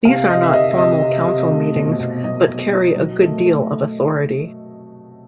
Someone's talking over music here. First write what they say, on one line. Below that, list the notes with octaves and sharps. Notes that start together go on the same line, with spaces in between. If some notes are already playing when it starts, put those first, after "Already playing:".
These are not formal council meetings, but carry a good deal of authority.
C3 F5
C3 D#5
E5
C3 D#5
C3 D#5
C3
C3
A3
B2
B2
F#3 D#5
B2
F#3
F#3
A3
A3